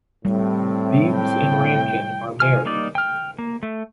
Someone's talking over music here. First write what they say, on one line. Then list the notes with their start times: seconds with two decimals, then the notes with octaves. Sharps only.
Vimes and Ramkin are married.
0.25 A2 G3 C4
1.16 G5
2.40 F4 G#5 F6
2.65 G3 A#3 D#4 D5
2.95 G5 F6
3.38 A#3
3.63 A3